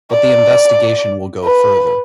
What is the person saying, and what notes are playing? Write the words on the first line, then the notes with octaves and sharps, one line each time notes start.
But the investigation will go further.
D5
B4